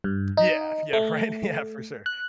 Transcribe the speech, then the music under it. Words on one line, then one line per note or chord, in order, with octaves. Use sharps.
Yeah, yeah, right, yeah, for sure,
G2
D#4
A3
F#6